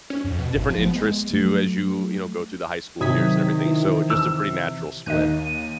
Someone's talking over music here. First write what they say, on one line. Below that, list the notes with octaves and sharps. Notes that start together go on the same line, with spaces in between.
different interests too as you you know, go through the high school years and everything. So just a pretty natural split.
C#4
F2
B2
G#1
F3
B3
G#3
F#3 A3
C3 D#3 F#3 D#6 G#6 B6
E3
E6
D#2 D#3 D#5 F#6 D#7